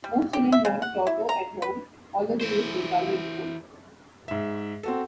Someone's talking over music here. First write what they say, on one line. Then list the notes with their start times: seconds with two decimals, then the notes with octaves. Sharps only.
Most children learn Toto at home, although they use Bengali in school.
0.04 G3
0.33 G4
0.52 E5
0.65 C#3
0.82 F#5
1.07 E4
1.29 A#5
1.62 B4
2.41 E3 C5
4.28 G#2 E5
4.83 C4 F#4 A4